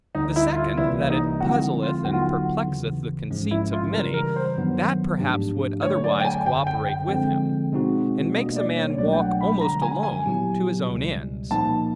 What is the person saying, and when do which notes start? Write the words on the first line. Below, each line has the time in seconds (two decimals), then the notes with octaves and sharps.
The second, that it puzzleth and perplexeth the conceits of many, that perhaps would otherwise co-operate with him; and makes a man walk almost alone, to his own ends.
0.15 D2 D3 G3 D#4
0.36 E4
0.56 F4
0.77 C2 C3 E3 G3 A#3 E4
1.10 D#4
1.40 D3 F3 G#3 C4 E4 F#4
1.83 F4
2.04 D#2 D3 F#3 B3 D#4 F#4
2.13 F4
2.21 F#4
2.67 D#2 C#3 E3
3.30 A#1 G#2 F3 G#3 C#4
3.51 E4
3.73 F4
3.93 C#3 E3 G3 A#4
4.14 A#4
4.36 C5
4.57 G2 D#3 F#3 B3
5.19 G#2 F3 A3 D4 G4
5.83 D3 F#3 A3 C#5
6.04 D5
6.20 G5
6.25 G#5
6.46 G1 F#2 D3 G5
6.67 G5
6.88 G5
7.08 D3 F3 G#3 C4 G5
7.72 B2 G#3 C4 D#4 F#4
8.35 B2 G3 A#3 D4 D#5
8.56 D5
8.77 C#5
8.90 C#5
8.98 C2 B2 F#3 A3 D4 D5
9.13 G5
9.19 F#5
9.41 B5
9.61 D3 F3 G#3 A#5
9.82 G#5
10.03 G#5
10.25 A#2 F#3 B3 E4 G4
10.88 C#2 B2 G3
11.51 A#2 F3 A#3 D#4 A5